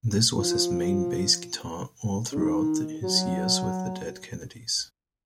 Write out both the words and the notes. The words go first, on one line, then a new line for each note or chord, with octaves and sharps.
This was his main bass guitar all throughout his years with the Dead Kennedys.
F3
C#3
D#3
F#3